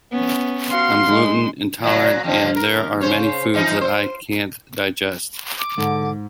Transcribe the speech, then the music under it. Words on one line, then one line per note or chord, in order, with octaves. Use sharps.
I'm gluten intolerant, and there are many foods that I can't digest.
B3 C#4
F#4 F5 C6
G#3 D#4
A#2 F#3
F2 D3 F3
A#4
C#3 C5 C#5
E3 F3 D#4
C5
D6
G#2 D3